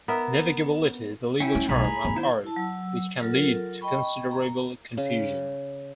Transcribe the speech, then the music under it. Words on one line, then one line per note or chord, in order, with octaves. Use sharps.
'Navigability' is a legal term of art, which can lead to considerable confusion.
B3 A#4 E5
C#4 E4 G5
F#3 G#3
B1 G#4 A#5 B5
E4
D#3 B3
E4 C5
E4 A5
F#3 E6
F#3 F4 A4 A#4
D#5 G5 B5 C#6
A#5
C#3